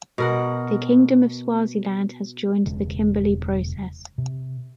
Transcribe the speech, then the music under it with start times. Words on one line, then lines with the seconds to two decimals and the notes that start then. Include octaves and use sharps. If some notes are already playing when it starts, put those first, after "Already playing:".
The Kingdom of Swaziland has joined the Kimberley Process.
0.18 B2 A#4 F#5
2.65 E1 C#3 G#3
4.18 C3